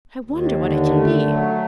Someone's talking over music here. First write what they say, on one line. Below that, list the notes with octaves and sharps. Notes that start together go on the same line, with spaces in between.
I wonder what it can be!
D#2
D3
A3
F#3